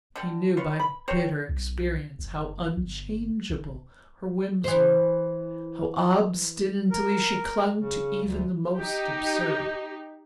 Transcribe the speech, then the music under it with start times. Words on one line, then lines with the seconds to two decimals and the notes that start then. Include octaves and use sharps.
He knew by bitter experience how unchangeable her whims were, how obstinately she clung to even the most absurd.
0.16 D3 G3
0.57 F4 B4 C#5
0.80 B5
1.08 C3 G4 C5 C#5
1.49 B1
2.19 F#1
2.77 G1
3.49 G#1
4.64 E3 C5
6.91 A#4
7.78 C#3
8.22 D2
8.78 D#4 G4